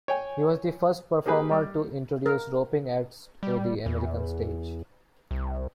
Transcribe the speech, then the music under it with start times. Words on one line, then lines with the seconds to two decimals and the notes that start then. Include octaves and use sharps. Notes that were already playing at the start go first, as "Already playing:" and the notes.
He was the first performer to introduce roping acts to the American stage.
0.08 C#5 G5 G#5
1.26 A#3 D#4 G4 G#4 B4
1.51 G3
2.26 A#4
3.43 G3
3.86 E2
5.31 C2